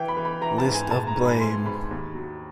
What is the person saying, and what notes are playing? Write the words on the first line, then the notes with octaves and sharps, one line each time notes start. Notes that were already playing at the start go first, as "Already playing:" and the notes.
List of Blame!
Already playing: E3 G5
B5
E3
B5
E3 A#5
A5
G#2
G#5
G#2 A5
A#5
G#2
B5
G#2 C6
G#2 B5
D#2
F#3